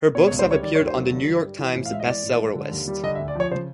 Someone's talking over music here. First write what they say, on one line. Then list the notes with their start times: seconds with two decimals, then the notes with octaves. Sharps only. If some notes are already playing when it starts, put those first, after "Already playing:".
Her books have appeared on the "New York Times" Best Seller list.
0.15 B2 C#5
0.27 C#5
0.31 C#2
0.39 C5
0.47 G3 C#5
0.63 D#3 D5
0.75 C#5
0.79 D#2
0.87 C5
0.95 F#3
1.11 D3
1.27 G2
1.43 G3
1.59 E3
1.75 A2
1.86 F5
1.91 G#3 E5
2.00 D#5
2.07 E3 D5
2.23 A2
2.39 G#3
2.55 D3
2.72 D#2
2.88 G3
3.03 D3 D#5
3.15 E5
3.19 D2
3.28 D5
3.35 F3 C#5
3.51 C#3 C5